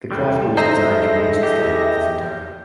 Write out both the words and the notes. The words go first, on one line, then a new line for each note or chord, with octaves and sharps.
The craft was designed to reach and study Alpha Centauri.
E2 G3 A4
D#4 C5 D#5 E5 A#6
G4